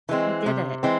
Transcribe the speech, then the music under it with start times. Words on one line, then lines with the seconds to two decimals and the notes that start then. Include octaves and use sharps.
I did it.
0.09 E3 G#3 C4
0.46 C3
0.83 E3 G#3 C4